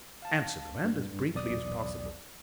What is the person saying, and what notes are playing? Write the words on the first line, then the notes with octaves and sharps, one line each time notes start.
Answer them, and as briefly as possible.
F5 A5
G2
B1 E2 D5 D#6